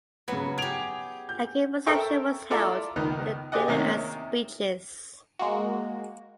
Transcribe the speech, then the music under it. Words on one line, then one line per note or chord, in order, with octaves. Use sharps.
A great reception was held with a dinner and speeches.
C#3 F#3 B3 B4
G4 G#4 G#6 D7 F7
G6
A4 A#4 C5 E5 G5 C#6
E4 F4 A4 D5 A5 A#5
C#2 D#3 B3 D#4
G4 G#4 C5 D5 D#5 F#5
C3 D#3 A#3 C#4 D#4
G#3 A#3 F#4